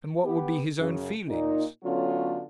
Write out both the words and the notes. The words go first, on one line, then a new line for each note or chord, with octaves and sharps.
And what would be his own feelings?
B3 G4
F#2 C#3
A#2 D#4
D3 F#3 A3 B3 C#4 F4